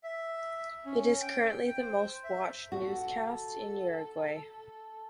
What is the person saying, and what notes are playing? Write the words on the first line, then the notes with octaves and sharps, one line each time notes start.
It is currently the most watched newscast in Uruguay.
E5
C#4
G5
C5
E5
F#4 A4